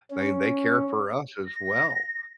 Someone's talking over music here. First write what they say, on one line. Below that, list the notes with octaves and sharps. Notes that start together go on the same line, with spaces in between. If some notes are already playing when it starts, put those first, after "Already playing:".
They they care for us as well.
C#4
A#6